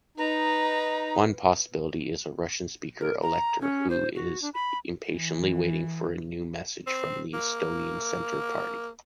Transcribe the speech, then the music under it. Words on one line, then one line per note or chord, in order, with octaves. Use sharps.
One possibility is a Russian-speaking elector, who is impatiently waiting for a new message from The Estonian Center Party.
D#4 B4 A#5
A#4
A#5
C#4
C5
F#4
D4
B5
E3
C4
A#3